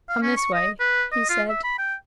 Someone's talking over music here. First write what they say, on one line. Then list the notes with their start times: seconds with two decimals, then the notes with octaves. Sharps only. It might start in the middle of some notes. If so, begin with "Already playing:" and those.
"Come this way," he said.
0.09 F5
0.22 C#4
0.37 C#6
0.53 D#5
0.80 B4
1.12 D#5
1.29 F4
1.49 E5
1.63 B5
1.78 G5